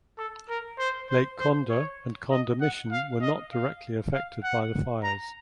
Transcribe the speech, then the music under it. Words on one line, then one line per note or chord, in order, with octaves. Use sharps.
Lake Condah and Condah Mission were not directly affected by the fires.
A4
A#4
C5
C5
C5
C#5
D#5
F#5
F5
D#5
F5
F5
F#5
A#5